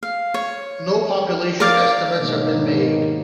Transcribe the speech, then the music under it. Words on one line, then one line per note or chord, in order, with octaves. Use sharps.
No population estimates have been made.
F5
C#5
A#4 C#5 D5 F5
G#2 B2 D#3 A#3 C#5